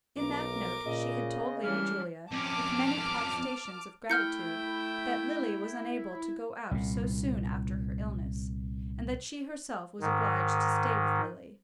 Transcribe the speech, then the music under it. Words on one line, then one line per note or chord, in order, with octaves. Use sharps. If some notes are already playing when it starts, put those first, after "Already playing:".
In that note she had told Lady Julia, with many protestations of gratitude, that Lily was unable to go out so soon after her illness, and that she herself was obliged to stay with Lily.
B1 A#4 D6
A#2 C#3 D#5
E3 G3 C#4 D4 F6
F2 C#4 A5 D6 F6
A3 E4 G5 F6 G6 C#7
C2 A#2
G#2 D#3